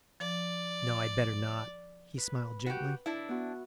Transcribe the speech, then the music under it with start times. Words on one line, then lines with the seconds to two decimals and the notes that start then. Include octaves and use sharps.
"No, I'd better not," he smiled gently.
0.20 F3 D5
2.18 B4
2.66 F#4 G4
3.06 D4 E4 E5
3.29 B3 F#4